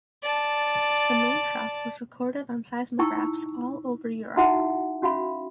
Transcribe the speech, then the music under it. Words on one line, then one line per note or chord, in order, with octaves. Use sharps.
The mainshock was recorded on seismographs all over Europe.
D5 A5
D#4 E4 G5 C#6 D#6 E6
D#4 E4 F#4 E5 F#5 D#6
C#4 F#4 E5 F5 B5